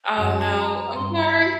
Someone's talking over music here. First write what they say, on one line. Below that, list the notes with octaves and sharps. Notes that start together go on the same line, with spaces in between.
Oh, no, I'm sorry,
F#2 F#5
A5
A#5
A#5
G2 C6
A#5
A5